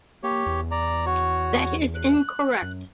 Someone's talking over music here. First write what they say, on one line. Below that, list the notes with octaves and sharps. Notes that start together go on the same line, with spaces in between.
That is incorrect.
A#3 G4 C#5
E2
D5 A#5
F#4 C#5
F#6
F#2